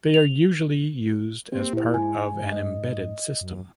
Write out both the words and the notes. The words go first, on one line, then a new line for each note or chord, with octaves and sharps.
They are usually used as part of an embedded system.
F7
A#3 C4 G4
A#2 E4 C5
G#2 G#5
D#5
F#2